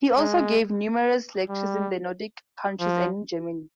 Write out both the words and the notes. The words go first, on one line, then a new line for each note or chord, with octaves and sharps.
He also gave numerous lectures in the Nordic countries and in Germany.
G#3
G3
F3